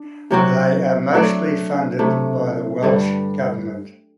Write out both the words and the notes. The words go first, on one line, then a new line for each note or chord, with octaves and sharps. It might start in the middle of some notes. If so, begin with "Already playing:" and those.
They are mostly funded by the Welsh government.
Already playing: D4
C3 F#3 C4 F#4
F#3 A3 D4
C3 F#3 A3
G2 D3 G3